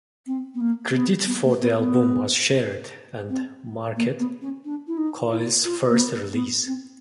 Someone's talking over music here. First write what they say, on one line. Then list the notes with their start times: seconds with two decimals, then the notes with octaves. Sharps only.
Credit for the album was shared, and marked Coil's first release.
0.27 C4
0.54 B3
0.60 A#3
0.93 B3
1.27 B3
1.43 A#3
1.61 B3
1.77 B3
3.29 C4
3.96 A#3
4.19 B3
4.41 C#4
4.65 D4
4.87 E4
4.97 D#4
5.31 E4
5.65 F4
5.89 A#3
5.99 B3
6.32 B3
6.66 C4